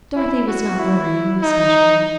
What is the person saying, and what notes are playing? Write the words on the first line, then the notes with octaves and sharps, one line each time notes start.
Dorothy was not worrying, especially.
E4
F#4
E4
D#4